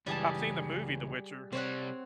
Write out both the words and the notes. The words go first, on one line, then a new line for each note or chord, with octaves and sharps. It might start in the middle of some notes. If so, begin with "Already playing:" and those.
I've seen the movie The Witcher.
C#2 E3 G3 G#4 A5
C3 G3 C4 C#5 F#5